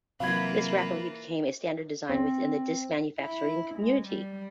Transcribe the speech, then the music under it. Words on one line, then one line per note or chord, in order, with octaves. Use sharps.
This rapidly became a standard design within the disk manufacturing community.
C3 E3 F#3 A#3 F4 F5 B5 G#6
C4
E4
G#3
G3